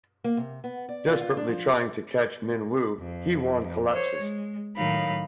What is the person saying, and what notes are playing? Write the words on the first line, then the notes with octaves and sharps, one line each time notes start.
Desperately trying to catch Min-woo, Hye-won collapses.
A#3
C3
B3
D5
F4
F4
D4
F3
F2
C5 C#5
G#3
A2 D#3 F#3 D#4 F5 B5